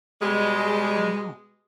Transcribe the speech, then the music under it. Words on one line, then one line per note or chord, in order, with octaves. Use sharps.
I know.
B2 G3 G#3